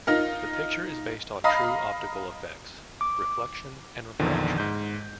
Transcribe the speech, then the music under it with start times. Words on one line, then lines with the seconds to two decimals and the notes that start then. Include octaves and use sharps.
The picture is based on true optical effects, reflection and refraction.
0.07 D#4 F4 A#4
1.44 D#5 F5 A#5 B5 D#6
3.01 D6
4.19 A#1 E2 D3 D#3 F3
4.58 G#2 G6